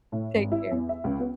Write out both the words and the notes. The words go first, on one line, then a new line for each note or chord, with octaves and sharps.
Take care.
A2
G#1
E4
E2
E5
C#2
B3